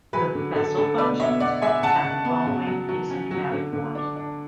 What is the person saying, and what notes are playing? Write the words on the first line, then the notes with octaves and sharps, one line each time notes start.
The Bessel functions have the following asymptotic forms.
F#3 G#4 B4
D3
D3 A4
D3 A4
B2 B4 D5
B2 C#5 E5
B2 D5 F#5
G#3 E5 G#5
C#3 F#5 A5
C#3
B3
C#3
F#3
F#3
C#4
F#3
D3
D3
D4
D4